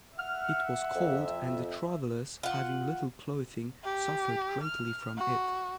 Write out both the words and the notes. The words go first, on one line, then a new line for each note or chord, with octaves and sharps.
It was cold and the travelers, having little clothing, suffered greatly from it.
E5 F#5 F6
F2
F4 F#5
G4
F6
F#4